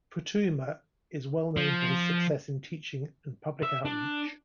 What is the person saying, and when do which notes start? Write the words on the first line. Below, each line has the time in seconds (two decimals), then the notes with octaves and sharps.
Futuyma is well known for his success in teaching and public outreach.
1.57 F3
3.63 E5
3.85 D4